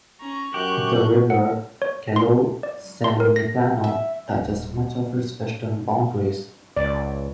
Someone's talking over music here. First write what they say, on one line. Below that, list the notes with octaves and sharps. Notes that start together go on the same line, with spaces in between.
The river Calore Salernitano touches much of its western boundaries.
C#4 A#5 C#6
F#2 G4 F#6 G6
F#5
C#5
C6
D5
C6
A#4
A#6
E5
D#1
C#2 D5